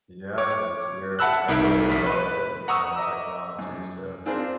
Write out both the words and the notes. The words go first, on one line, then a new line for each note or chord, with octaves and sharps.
Yeah, 'cause you're heavily involved in, you know, technology, so
C#5 D6
E5 F#5 A5 B5 E6 F#6
C2 D#4 A#4 E5
A#1 B6
B4
F#5 A#5 C#6 D#6 E6
D#5 E5 A#5 D6 E6
F#2
C4 D4 F4 G#4 A#4 C5